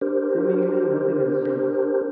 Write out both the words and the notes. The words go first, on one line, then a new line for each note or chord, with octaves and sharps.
Seemingly, nothing has changed.
D4 G4 A#4 C5